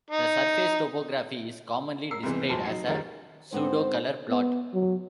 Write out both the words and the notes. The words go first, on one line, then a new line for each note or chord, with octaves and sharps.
The surface topography is commonly displayed as a pseudocolor plot.
D#4
A#4 E6 C7
C2 G#2 C3 E3 B3
F1 A#2 F#3 C5 A5
F#3 D#4 C7
F#1 C#2 D#3 G3 A#4 A6
G#2 B3 C4 C5
B3
F#3